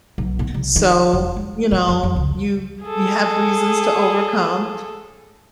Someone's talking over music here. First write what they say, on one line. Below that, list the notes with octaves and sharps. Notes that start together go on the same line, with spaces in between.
so, you know, you you have reasons to overcome
B1
B2
C2
D#3
E1
G#3
G3
F2
F2
C#2
G#4 A4